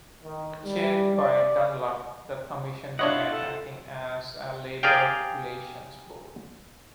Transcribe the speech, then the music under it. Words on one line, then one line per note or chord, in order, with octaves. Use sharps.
Chaired by Dunlop, the commission began acting as a labor relations board.
D#3
G3
D5
D4 E4 F4 C#5 D#5 F#5
A4
G4 G#4 A#4 D5 F5 G5